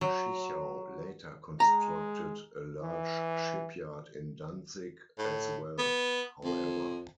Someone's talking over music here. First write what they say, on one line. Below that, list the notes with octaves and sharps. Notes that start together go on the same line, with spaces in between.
Schichau later constructed a large shipyard in Danzig as well, however.
F#3
G#3 A#5
E3
A2
B3
F2